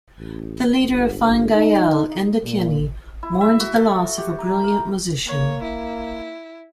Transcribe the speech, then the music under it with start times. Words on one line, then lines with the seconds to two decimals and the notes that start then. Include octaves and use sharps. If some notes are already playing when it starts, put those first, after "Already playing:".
The leader of Fine Gael, Enda Kenny, mourned the loss of a "brilliant musician".
0.17 A1
0.79 G1
1.54 D#4
2.07 D#4
2.44 A#2
3.23 E4
3.41 E5
3.60 F#4
3.75 A4
4.18 G4
4.39 A#5
4.64 A#4
5.27 A#3 C#5
5.63 E4